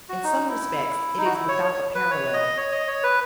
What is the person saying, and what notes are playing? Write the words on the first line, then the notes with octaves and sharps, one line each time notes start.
In some respects it is without a parallel.
F#4
D#4
E4
D#4
F#4
E4
C#5
C#5
B4
C#5
D#5
C#5
D#5
C#5
B4